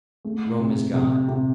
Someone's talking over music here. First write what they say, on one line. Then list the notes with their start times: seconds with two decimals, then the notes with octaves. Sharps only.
Rome is gone.
0.25 A3
0.59 C3
0.94 C3
1.28 C3